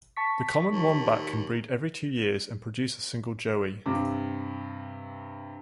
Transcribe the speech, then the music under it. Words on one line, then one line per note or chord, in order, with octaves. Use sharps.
The common wombat can breed every two years and produce a single joey.
A5 C#6 B6
D#2
G2 C3 D6